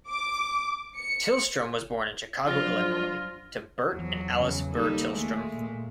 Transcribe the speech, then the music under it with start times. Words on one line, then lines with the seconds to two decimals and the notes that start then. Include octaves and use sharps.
Tillstrom was born in Chicago, Illinois, to Bert and Alice Burr Tillstrom.
0.10 D6
0.98 C#7
2.47 F3 F#3 D4 F4 F6 A#6
3.92 E2 F3 F#3
4.34 E2 C#3 F3
4.72 D#2 G3 A#3 D#4 A4
5.14 G#3 A3
5.52 A#2